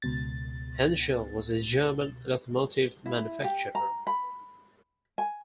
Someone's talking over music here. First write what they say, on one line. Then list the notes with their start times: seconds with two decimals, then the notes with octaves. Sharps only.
Henschel was a German locomotive manufacturer.
0.02 C#2 B2 A6
3.06 E4
3.44 G4
3.75 A#5
4.07 B5
5.18 G#5